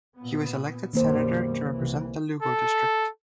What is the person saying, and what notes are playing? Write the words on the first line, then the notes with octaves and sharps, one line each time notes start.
He was elected senator to represent the Lugo district.
A#2 B3
B1 F#2 D#3 G3 A#3 C5
C2 E3
A4